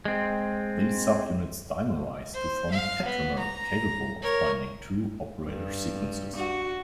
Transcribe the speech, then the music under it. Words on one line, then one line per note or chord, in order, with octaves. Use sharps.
These subunits dimerize to form a tetramer capable of binding two operator sequences.
G#3 C4
C5
F5
B3
A#5
A#4 C#5
G2
F#4